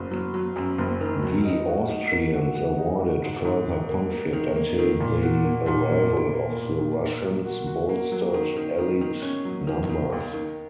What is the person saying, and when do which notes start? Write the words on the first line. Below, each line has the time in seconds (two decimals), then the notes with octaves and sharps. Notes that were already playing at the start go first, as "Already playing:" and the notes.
The Austrians avoided further conflict until the arrival of the Russians bolstered Allied numbers.
Already playing: F#1 F#3
0.11 F#3
0.34 F#3
0.56 F#2
0.78 F#1
1.01 D#3
1.22 F#3
1.45 D#4
1.68 F#4
1.89 D#4
2.11 A#3
2.34 F#4
2.55 F#4
2.78 D#4
3.00 F#4
3.23 G#2
3.45 G#2
3.67 D#3
3.89 A#3
4.12 A#3
4.33 D#3
4.56 A#3
4.79 D#3
5.00 A#2
5.22 F#4
5.44 A#3
5.67 A#2
5.89 A#3
6.12 A#2
6.34 A#3
6.56 A#2
6.79 D#3
7.01 A#3
7.22 F#3
7.45 F#4
7.67 F#4
7.89 A#3
8.12 F#3
8.34 D#3
8.57 D#3
8.79 D#3
9.01 D#3
9.22 C#4
9.45 F#3
9.67 D#3
9.89 D#3
10.12 D#2
10.34 D#3